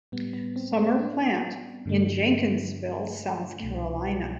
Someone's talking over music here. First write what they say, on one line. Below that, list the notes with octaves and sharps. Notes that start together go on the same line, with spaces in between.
Summer plant in Jenkinsville, South Carolina.
A2 G3 B3
B3
C4
C4
D4
G2 D3 A3
C2 B2 A3